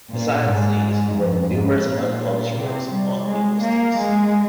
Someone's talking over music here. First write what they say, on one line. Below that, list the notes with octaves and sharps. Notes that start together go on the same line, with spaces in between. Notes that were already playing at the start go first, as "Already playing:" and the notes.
Besides these he wrote numerous unpublished works on linguistics.
A#2
G#2
F2
G#2
A#2
C3
G3
G#3
A#3
G#3